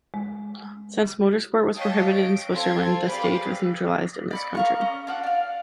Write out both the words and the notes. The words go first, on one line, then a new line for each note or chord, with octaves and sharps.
Since motor sport was prohibited in Switzerland, the stage was neutralized in this country.
G#3
C#5 D#5 F5 G5 A5
D7
C4 F4 A4 C5 A5 G#6
G4 G#4 B4 C5 D5 F5
D5 B5 C#6
A#4 F5 C#6
C#4
D4 F4 F#5
D5 F5